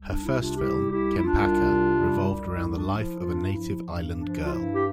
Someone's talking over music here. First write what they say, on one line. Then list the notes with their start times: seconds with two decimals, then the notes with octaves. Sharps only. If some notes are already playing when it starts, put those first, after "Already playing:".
Her first film, "Cempaka", revolved around the life of a native island girl.
Already playing: C2
0.08 D4
0.24 C3 E4
0.41 D4 F4
0.57 G3 E4 G4
0.90 C2 E4 G4
1.17 E4
1.23 C2 D4 F4
1.55 C3
1.89 G3
2.22 C2
2.54 G2 E4
2.76 D4
2.87 F3
2.98 E4
3.20 G2 D4 F4
3.53 F3 E4
3.85 G2
4.19 F3 D4
4.46 F4
4.51 G2 E4
4.74 G4